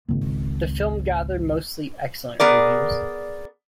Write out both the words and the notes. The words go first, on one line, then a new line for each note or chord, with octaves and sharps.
The film gathered mostly excellent reviews.
G#1 C#2
B3 G#4 A#4 D5